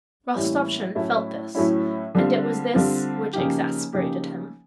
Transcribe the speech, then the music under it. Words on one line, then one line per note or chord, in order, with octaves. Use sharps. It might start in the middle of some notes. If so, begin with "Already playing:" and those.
Rostopchin felt this, and it was this which exasperated him.
A2 E3 G3 A#3 C#4
A2 F#3 A3 C#4 E4
A2 F#3 A3 C#4 E4
D3 G3 C4 F4
D3 G3 C4 F4
C#3 F3 A#3 D#4 G4
C#3 F3 A#3 D#4 G4